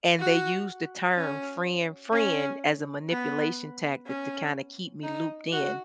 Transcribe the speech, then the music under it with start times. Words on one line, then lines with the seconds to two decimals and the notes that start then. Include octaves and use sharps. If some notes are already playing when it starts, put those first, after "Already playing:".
and they use the term frien "friend" as a manipulation tactic to kinda keep me looped in
0.20 F#4
1.16 C#4
2.13 C#4
3.10 B3
4.07 C#4
5.04 D#4
5.52 F#4